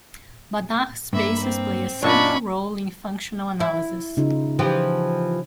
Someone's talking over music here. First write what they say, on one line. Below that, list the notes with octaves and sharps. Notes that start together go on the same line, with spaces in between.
Banach spaces play a central role in functional analysis.
G2 A#3 E5 B5
C4
F#2 A#2 D4 C#5 D#5 A5 B5 C#6
E4
C#3 D#4 F4
E3 F3 G4